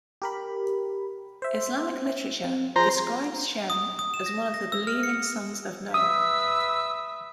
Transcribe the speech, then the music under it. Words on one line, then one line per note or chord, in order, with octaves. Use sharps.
Islamic literature describes Shem as one of the believing sons of Noah.
G4 A#4 B5
C5 E5
C4
F3 G#4 C5 A#5
D#6
D#6
E7
A#6
A#6
E6
F6
C#7
B4 E5 D#6 E6